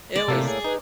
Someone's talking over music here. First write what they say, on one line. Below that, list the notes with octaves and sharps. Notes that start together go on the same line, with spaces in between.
it was
D5
A2 C3 A#3 G4 A4
G#4 C#5
D#4 B4